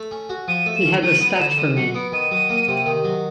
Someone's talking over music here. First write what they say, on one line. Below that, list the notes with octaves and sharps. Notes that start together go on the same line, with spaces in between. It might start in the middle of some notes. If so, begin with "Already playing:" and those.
He had respect for me.
Already playing: A3
C#4
F#4
F3 D#7
A3
E7
C#4
F#3 D#7
B3 D#7
D3 E7
E7
D3 D#7
F#3 C#7
B3 D7
D#3 D#7
F#3
A#3
C3
D#3
F#3